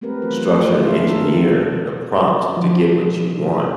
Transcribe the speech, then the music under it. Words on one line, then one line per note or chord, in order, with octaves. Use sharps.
structure and engineer the prompt to get what you want.
A3 B3 C4 G4 A#4 B4
E3 F#3 A3 F4 B4
E3 A3 B3
C#4 F4
G#4 A#4 E5
D#3 A#3 D4 A4 A#4
F3